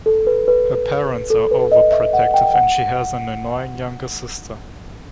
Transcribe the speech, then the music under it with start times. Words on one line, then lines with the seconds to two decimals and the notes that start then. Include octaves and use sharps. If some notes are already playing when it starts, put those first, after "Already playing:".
Her parents are overprotective, and she has an annoying younger sister.
0.06 A4
0.27 B4
0.48 B4
1.30 A4
1.51 B4
1.72 D#5
1.92 E5
2.13 F#5
2.34 G5
2.54 F#5